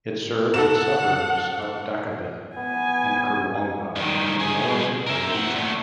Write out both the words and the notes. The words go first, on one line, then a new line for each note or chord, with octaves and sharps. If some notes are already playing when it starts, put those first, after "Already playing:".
It serves the suburbs of Dakabin and Kurwongbah in the Moreton Bay Region.
A4 F#5 E7
B3 G#5
G2 D#3
C2 G#4
A#4 E5
C4 F#5
A#2 A3